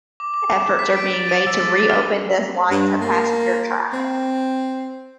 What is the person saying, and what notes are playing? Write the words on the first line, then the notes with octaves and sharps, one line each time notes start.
Efforts are being made to reopen this line to passenger traffic.
D6
D6
E7
B6
D7
A6
D#7
E6
A6
F6
G2
A#3
C4